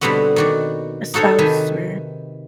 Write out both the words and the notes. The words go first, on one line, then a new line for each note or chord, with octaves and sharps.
a spouse or
B2 D3 G3 B3 C4 F#4
D#3 F#4 D5
D#4 F#4 A4 C5 C#5
C3 D#3 B4 G#5 A5